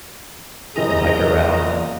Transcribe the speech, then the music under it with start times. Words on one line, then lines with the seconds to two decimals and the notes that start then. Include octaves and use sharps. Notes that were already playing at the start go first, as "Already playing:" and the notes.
and hike around.
0.76 F#1 E3 G4 G#4 D#5 A#5
1.47 A#2